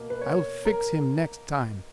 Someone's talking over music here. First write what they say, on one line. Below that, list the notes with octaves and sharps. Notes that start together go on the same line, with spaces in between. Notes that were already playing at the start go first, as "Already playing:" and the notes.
I'll fix him next time.
Already playing: B2 A#3
B4
C#5
A#4